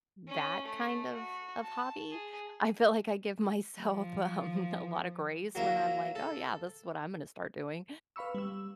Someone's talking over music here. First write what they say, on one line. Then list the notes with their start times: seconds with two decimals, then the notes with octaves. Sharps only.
that kind of of hobby. I feel like I give myself, um, a lotta grace when I'm like, "Oh, yeah, this is what I'm gonna start doing."
0.28 C#4
0.64 A3
1.14 F#4
1.63 A5
2.11 G#4
3.83 F3
5.55 F#3 A#3 E4
6.15 A4
8.16 B4 F5 B5 C#6 E6
8.35 G3 E6